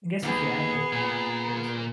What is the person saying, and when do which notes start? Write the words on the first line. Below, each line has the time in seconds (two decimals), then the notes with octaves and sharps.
guess if you're active, you know, then it's good.
0.23 D#2 B3 G#4
0.93 A#2